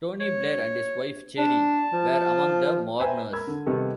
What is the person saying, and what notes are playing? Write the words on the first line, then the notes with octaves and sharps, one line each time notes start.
Tony Blair and his wife Cherie were among the mourners.
C#5
D4 A5
F3
B4 C5 E5 G5 G#5 A#5
A#4 B5 E6 G#6
D3
C3 D#3 G3 B3 G4 A4